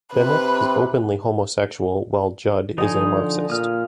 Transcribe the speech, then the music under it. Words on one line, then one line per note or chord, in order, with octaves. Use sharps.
Bennett is openly homosexual, while Judd is a Marxist.
C3 B4
D3 F3 D#4 D#5 G#5
A#2 D#6 F6